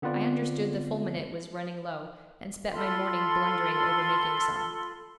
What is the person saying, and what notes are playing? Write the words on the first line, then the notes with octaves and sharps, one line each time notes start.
I understood the fulminate was running low, and spent my morning blundering over making some.
D3 B3 C4 F4 B4 D5
F4 A4 B5 C6